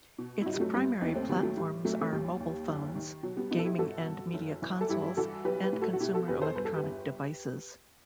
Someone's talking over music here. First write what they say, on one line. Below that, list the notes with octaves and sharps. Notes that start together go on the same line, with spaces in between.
Its primary platforms are mobile phones, gaming and media consoles and consumer electronic devices.
B2
E4
G1 D#4 F#4
G3
F#3 A3
G1 G3 B3
D#2 B3 D#4
A3 C4
D#3 G3 B3
F#3 A3
A2 G3
B1 F#3 A3
A3
D#2 G3
D#2
F#1
D#3
B2 F#3
G3 B3
B2 B3 D#4
A4
E4 G4
G1 F#4 A4
G2
F#1
E3
A4
G2 E4 G4
E3 F#4 A4
B1 G4 B4
G4 B4
A2
F#4 A4
F#4
B2 E4 G4
F#4 A4
E2 G4 B4
A4 C5
G2 B4
A4
G4 B4
G1